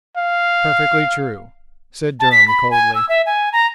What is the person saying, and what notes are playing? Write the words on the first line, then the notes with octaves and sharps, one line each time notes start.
"Perfectly true," said Durham, coldly.
F5
A5
B6
B5
G#5
E6
E5
G#5
A#5